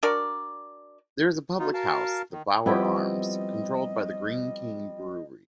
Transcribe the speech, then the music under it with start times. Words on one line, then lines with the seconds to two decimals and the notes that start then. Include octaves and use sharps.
There is a public house, the Bowyer Arms, controlled by Greene King Brewery.
0.03 D4 F#4 A#4 D5
1.59 B3 D#4 F4 F#4
1.74 A#4 F5 A5
2.32 D#3
2.66 F3 G3 B3 C4 E4 G4 D#5